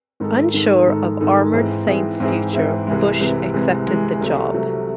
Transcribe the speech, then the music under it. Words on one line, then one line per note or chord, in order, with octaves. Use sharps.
Unsure of Armored Saint's future, Bush accepted the job.
G#2 D#3 G#3 D#4 A4
G#2 D#3 G#3 D#4 A4
G#2 D#3 G#3 D#4 A4
G#2 D#3 G#3 D#4 A4
G#2 E3 C4 E4 G#4
G#2 E3 C4 E4 G#4
G#2 E3 C4 E4 G#4
G#2 E3 C4 E4 G#4
C2 C3 E3 G#3
C2 C3 E3 G#3
C2 C3 E3 G#3
C2 C3 E3 G#3
C2 C3 F#3 A3
C2 C3 F#3 A3